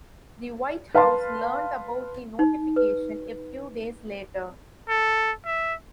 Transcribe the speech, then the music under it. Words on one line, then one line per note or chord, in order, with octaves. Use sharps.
The White House learned about the notification a few days later.
B4 F5 A5 C6
D#4
B4
A4
E5